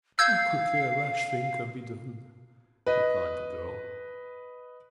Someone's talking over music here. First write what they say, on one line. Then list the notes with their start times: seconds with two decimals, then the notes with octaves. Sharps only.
"How quickly a rash thing can be done!" replied the girl.
0.19 F5 E6 G6 G#6
2.86 B4 D#5